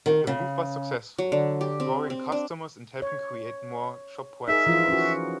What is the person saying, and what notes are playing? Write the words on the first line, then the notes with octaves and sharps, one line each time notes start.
The move was successful, drawing customers and helping create more Shoprite stores.
D#3
C#3
F#3
D3
G4
C4
C4
D4
C#5
D#4 G#4 A#4 E5
E3 F3 F4
C#4 F#4